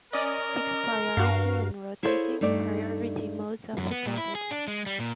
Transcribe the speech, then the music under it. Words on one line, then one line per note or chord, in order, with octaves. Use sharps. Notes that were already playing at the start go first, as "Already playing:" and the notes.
Fixed priority and rotating priority modes are supported.
C#4 A#4 D5 D#5
G2 F#4 F5
E4 G#4 A4 C5 C#5 F5
G2 A3 D#4 D5
F#2
B3
A#2
E4
G#4
D4
G#3
G3
A#2